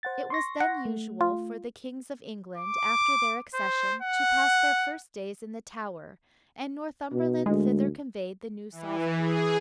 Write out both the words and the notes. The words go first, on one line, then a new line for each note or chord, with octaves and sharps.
It was then usual for the kings of England, after their accession, to pass their first days in the Tower, and Northumberland thither conveyed the new sovereign.
C5 F#5 A6
C6 C#6 A#6
F#5
A3
F4
D6
C5
F#5
B2
D2 G#3
E3
G#4